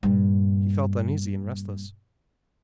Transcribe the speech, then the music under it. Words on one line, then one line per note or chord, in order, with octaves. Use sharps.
He felt uneasy and restless.
G2 A#2